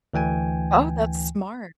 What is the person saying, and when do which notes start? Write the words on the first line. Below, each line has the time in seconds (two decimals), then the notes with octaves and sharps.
Oh, that's smart.
0.13 D2 E3 G5 G#5